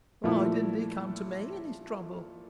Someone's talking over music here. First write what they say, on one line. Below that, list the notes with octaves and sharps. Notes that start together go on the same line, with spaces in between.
"Why didn't he come to me in his trouble?"
A#2 F3 A3 E4